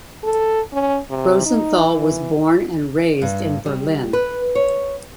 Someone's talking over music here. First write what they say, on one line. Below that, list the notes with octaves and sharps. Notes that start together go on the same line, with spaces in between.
Rosenthal was born and raised in Berlin.
A4
C#4
C3
D#4
E3
G2
G3
B4
C#5